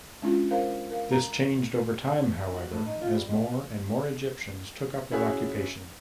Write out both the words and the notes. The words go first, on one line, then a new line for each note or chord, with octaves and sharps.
This changed over time, however, as more and more Egyptians took up their occupation.
G#3 C#4 D4 E4 F4
A#4 C5 F5
A#4 F5
A#5
D3
F#4
A2
D#4
F4
G3
G#3
C#4 E4 F#4 G#4 C#5